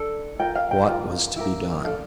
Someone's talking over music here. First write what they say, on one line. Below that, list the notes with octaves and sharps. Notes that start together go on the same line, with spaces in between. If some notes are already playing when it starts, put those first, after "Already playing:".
What was to be done?
Already playing: D4 A4
F4 A#4 G5
F5
G5
F4 A#4 F5
E4 G4 A#4
D4 A4 F5